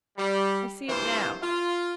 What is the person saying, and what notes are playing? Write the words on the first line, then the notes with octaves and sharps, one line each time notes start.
I see it now.
G3
G2 C3 E3 A#3 F4 C5
F4